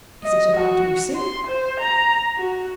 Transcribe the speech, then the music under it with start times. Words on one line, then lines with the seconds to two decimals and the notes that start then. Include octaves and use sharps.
"Is it about Lucy?"
0.23 D#5
0.56 F#4
1.15 C6
1.47 C5
1.80 A#5
2.38 F#4